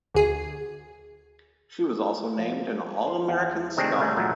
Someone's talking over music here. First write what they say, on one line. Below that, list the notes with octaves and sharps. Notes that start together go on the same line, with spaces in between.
She was also named an All American Scholar.
D2 G#4
F3
C5
E2
C3 D#3 G#3 A3 C4 D4
G3 A3 C#4
E2 G2 A#2 F#3 A3